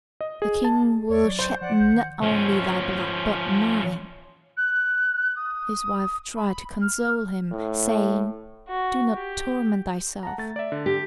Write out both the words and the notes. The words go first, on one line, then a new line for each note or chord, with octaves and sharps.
The king will shed not only thy blood but mine." His wife tried to console him, saying: "Do not torment thyself.
D#5
G#4
A5
E2 C#5 D5
F#3
C5 G6
F3 D5 F#5
A#1 G6
D#3
F3 C#4
F#6
D#6
B5
F6
A2
F#4
G4
F#5 A5 A#5
A3 A6
D5 E5
D3
G4